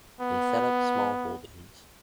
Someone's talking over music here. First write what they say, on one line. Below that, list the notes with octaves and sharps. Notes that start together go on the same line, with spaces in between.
They set up smallholdings.
B3